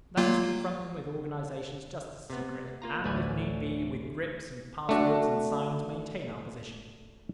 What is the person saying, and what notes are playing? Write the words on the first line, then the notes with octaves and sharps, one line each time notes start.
Let us confront them with organizations just as secret, and, if need be, with grips, and pass-words, and signs maintain our position.
F#3 A#3 F4
C3 B3
A#3 F4 A#5
A1 D2 A3 B4 D5 G#5
A3 D4 F#4